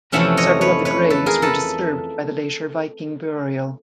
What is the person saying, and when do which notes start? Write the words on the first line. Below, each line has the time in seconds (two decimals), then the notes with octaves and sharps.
Several of the graves were disturbed by the later Viking burial.
0.12 F2 C3 E3 A3 C#4 E5 F#5
0.37 C#5 D#5
0.61 B4 C#5
0.85 B4 C#5
1.10 A4 B4
1.26 G#4 A#4
1.42 A4 B4